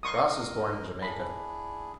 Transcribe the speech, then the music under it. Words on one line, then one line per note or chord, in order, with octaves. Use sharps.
Ross was born in Jamaica.
A#4 D#5 C6 C#6 D#6
D4 E4 G#4 B5